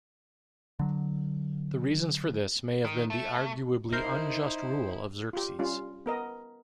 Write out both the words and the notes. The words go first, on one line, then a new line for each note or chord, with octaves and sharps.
The reasons for this may have been the arguably unjust rule of Xerxes.
D3 F#3
D#3
A3
D#4 E4 A#4 C5 G6 C7
F4 G4
G3 C#4 F4
B3 A#4 D#5